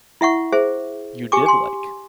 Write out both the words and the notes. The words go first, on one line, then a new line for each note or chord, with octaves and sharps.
You did like.
E4 E5 F#5 C#6
G#4 C5 E5
G4 G#5 C#6 D6
G#5 C6